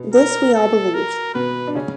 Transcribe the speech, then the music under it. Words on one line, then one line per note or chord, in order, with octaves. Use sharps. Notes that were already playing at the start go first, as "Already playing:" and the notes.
This we all believed.
Already playing: B2 B3
A#4
A4
A#4
B2 B3 B4
D4
C#3 C#4